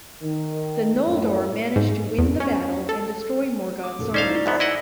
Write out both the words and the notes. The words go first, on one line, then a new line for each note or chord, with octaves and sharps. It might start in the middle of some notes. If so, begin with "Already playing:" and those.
The Noldor managed to win the battle, and destroy Morgoth's armies.
D#3
F#2 A2
G#2
E2
C#4
A4
D6
D#1 A4 A#4
C#4 D#4 C5 D5 F5
E4 F4
A#1 G#2 B3 E5 B5
E4 D#5 F#5